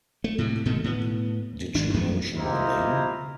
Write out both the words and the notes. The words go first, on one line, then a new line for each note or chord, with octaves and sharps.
Did She Mention My Name?
A3
A2 C3
G#1 B2 D#3 A3
A2 B3
G#1 D4
F#2 F3 A3
E4 F4 G4 C5 D#5 A#5